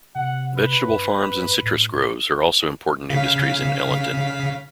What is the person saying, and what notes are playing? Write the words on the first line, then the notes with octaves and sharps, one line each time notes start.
Vegetables farms and citrus groves are also important industries in Ellenton.
C3 F#5
B4
G2
A2
C#3 F5 B6